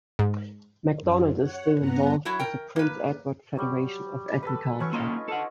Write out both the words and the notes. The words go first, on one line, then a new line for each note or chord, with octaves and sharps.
MacDonald is still involved with the Prince Edward Federation of Agriculture.
G#2
F#2
C#5 F#5
G2 B3 F#5 A#5
F#3 E4 F#4
A#4 G5
A#3 B4
F#3 G3
A4 B4
E3 F#3 C#4 C#6
A#3 C#4 D#4 F4 D#5
A4 F#5